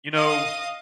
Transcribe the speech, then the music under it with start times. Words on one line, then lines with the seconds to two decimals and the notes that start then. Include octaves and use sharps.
you know
0.13 D#5 F5 D#6